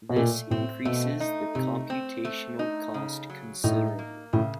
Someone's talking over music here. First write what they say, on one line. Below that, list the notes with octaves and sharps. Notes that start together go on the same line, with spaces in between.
This increases the computational cost considerably.
B2
A#2 A3
A2 C4
B2 A3
D#4
C3 A3
C4
A3
D#4
C#3
F#3
A2 D#4
A#3
A2 C#3